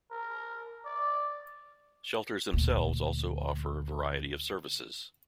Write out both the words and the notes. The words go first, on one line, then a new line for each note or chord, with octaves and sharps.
Shelters themselves also offer a variety of services.
A#4
D5
D2 A#2